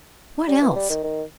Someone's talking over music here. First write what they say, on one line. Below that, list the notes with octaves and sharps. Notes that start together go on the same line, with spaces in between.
"What else?"
G3
E3
G3
D#3
D#3